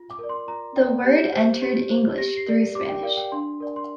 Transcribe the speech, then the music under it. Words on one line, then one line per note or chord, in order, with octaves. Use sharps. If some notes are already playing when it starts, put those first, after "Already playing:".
The word entered English through Spanish.
Already playing: F4
D6
A#4 D5
C6
F4 A#5
A#4 D5 G5
G4 G6
C5
G4
C5
G4 A#6
C7
A#4 D5
G4 D6
G5
A#4 D5 F5
G5
D4 C6
A#4 D5
C6